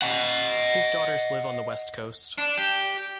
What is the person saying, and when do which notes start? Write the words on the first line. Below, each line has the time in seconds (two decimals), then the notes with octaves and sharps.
His daughters live on the West Coast.
0.02 D#5 F#5
2.38 D4
2.57 G4